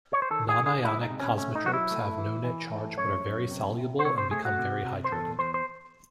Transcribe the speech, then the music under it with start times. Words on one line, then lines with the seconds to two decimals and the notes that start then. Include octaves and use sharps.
Nonionic kosmotropes have no net charge but are very soluble and become very hydrated.
0.13 C#5
0.22 C5
0.31 D#3 A4
0.49 G#4
0.58 D#3
0.66 G#4
0.84 G#3 E4
1.02 D#4
1.11 C3
1.20 C#4
1.38 A3 C#4
1.55 D#4
1.64 F#3 F#4
1.74 E4
1.91 A3
2.18 E3
2.44 E3
2.72 A3
2.98 F#2 C#5
3.25 F#2
3.51 C3
3.78 C3
3.99 C5
4.05 C3 C#5
4.18 C5
4.31 A3 G#4
4.45 F#4
4.58 C3
4.85 C3
5.04 C5
5.11 E2 A4
5.38 E2 C5
5.54 C5